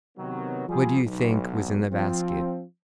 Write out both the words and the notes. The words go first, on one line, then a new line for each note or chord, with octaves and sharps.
What do you think was in the basket?
C3 D#3 F#3 B3
F3 G3 G#4
B1
F3 C4 F4